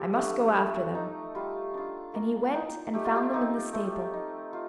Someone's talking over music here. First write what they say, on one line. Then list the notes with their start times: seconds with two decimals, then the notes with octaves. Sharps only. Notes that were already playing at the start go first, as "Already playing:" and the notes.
'I must go after them.' And he went and found them in the stable.
Already playing: F3 G4 A4
0.15 A3 D4
0.55 A3
0.95 D#4
1.35 G3 F4
1.74 D4 F4
2.14 A#3
2.54 D#4
2.94 A3 G4
3.05 F4
3.16 G4
3.33 C4 D#4
3.73 A3
4.14 D#4
4.53 F4